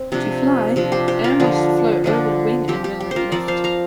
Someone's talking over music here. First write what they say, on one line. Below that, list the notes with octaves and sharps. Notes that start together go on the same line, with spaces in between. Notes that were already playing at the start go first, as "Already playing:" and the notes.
To fly, air must flow over the wing and generate lift.
Already playing: C4
C3 F3 D4
C3 F3 D4
G4 C5
G4 C5
F4 A#4
D3 F3 D4
D3 F3 D4
F3 C4 G4
G4
G4
C5
F4 A#4
F3 C4 A#4 D5
C5 F5
F5 A#5